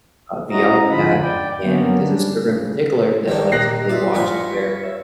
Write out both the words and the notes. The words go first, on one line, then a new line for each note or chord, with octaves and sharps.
uh, VR chat, and there's a server in particular that I like to really watch where
C#4 E4 F#4 D#5 A#5
F2 G#2 D3 F4 B5
D5 G5
D3 F#3 A#3 B3 C#4
G3 D4
C#3
D#3 D4 D#4
A#2 G4 D#5 A#5 D6 F#6 A#6 C7
F4 D5 E5
G2 F4 D5 F5 G#5 B5 C#6
C#5 E5